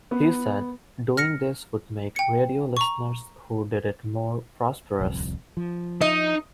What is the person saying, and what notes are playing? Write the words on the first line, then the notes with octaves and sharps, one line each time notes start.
He said doing this would make radio listeners who did it more prosperous.
B3
F6 A#6 C#7
G5 C#7
A#5 C#6
D1 C2 F2
F3
D#4 D#5